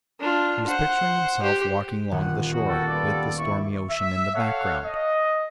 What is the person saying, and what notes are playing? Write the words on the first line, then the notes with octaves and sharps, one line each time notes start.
He was picturing himself walking long the shore, with the stormy ocean in the background.
D4 F4
C5 F#5
G4 C5
D#1 F#5
G3 D#4 F#4 G#4
B3 A4 A#4 G5
G3 B3 F4 D5
E4 E5 C#6
E5
A4 C#5 F5 F#5
D#5